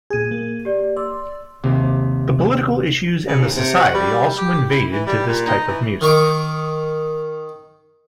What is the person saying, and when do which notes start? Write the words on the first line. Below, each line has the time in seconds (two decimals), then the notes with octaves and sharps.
The political issues and the society also invaded to this type of music.
0.10 A#2 G#4 G#6 D#7
0.31 A#3
0.65 G4 D5
0.97 D5 C6 E6
1.64 D#2 C3
3.28 C#3
3.39 D#2
3.55 C3
3.79 F#4
3.94 G3
4.38 G4
4.70 E4
4.91 E3
5.07 G3
5.27 A#2
5.46 D#4
5.68 E3
6.01 D#3 C#6 D6